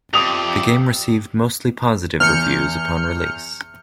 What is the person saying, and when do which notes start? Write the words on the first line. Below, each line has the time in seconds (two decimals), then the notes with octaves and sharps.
The game received mostly positive reviews upon release.
0.14 F2 G4 D5 E5 D#6 F7
2.20 E2 F6 G6 C#7